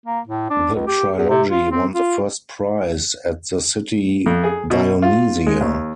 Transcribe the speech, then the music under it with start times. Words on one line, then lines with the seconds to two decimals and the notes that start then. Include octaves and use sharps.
The trilogy won the first prize at the City Dionysia.
0.06 A#3
0.27 A2
0.50 D4
0.74 C#2
0.87 G4
1.17 E2
1.29 C3
1.50 F4
1.71 C4
1.95 F4
4.26 F2
4.43 G#4
4.70 B2
5.02 F4
5.46 G#3
5.61 D#2